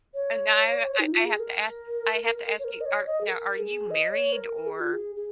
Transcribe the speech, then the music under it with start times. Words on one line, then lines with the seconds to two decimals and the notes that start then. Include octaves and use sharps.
And now I I have to ask I have to ask you. Are now, are you married? Or,
0.14 C#5
0.99 D#4
1.12 F4
1.25 G#4
1.39 A#4
2.59 C#5
2.64 A#4
2.81 D#5
2.86 C#5
3.07 D#5
3.21 G#4
3.28 A#4
3.59 G#4
3.90 D#5
4.11 C#5
4.32 A#4
4.53 A#4
4.66 G#4
4.80 F4
4.93 G#4
5.16 G#4